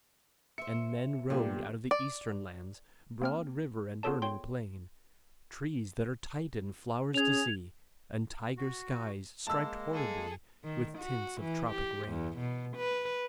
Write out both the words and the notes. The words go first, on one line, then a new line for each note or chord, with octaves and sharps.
And men rode out of the eastern lands, Broad river and burning plain; Trees that are Titan flowers to see, And tiger skies, striped horribly, With tints of tropic rain.
C5 E5 C#7
A#2 D3 F#3 A#3 B3 G4
D5
A#3 C4 F6
B3 F4 G#4 A4 C#5 A5
C#5 G5 C6
C#4 G#4 G#6 F7
F#4
G#3 A#3 A5 E6
G#4 A4
D#3
F#4
E3
G4
E2
B2
B4